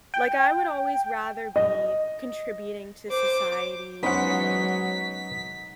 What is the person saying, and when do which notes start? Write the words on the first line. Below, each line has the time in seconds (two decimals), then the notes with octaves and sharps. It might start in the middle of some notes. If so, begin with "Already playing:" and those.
Like, I would always rather be contributing to society and
0.14 G5
1.56 D#5
3.09 C5 D6
4.03 F#3 G#3 B3 C#4 D#4 C5 F#5 B6